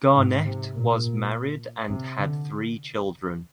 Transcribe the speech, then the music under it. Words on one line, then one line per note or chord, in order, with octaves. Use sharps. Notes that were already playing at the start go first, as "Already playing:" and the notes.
Garnett was married and had three children.
G#2
C3
A#2
C3
D3